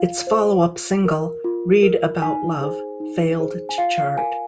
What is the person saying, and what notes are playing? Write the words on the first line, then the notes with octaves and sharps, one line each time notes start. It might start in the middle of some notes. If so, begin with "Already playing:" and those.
Its follow-up single, "Read About Love" failed to chart.
Already playing: F4 F5
C5
F4
A#4
F4
A#4
D#4 G#5
G#4 C5
D#4
G#4 C5
G#5
F4 F5
F5
A#4 G#5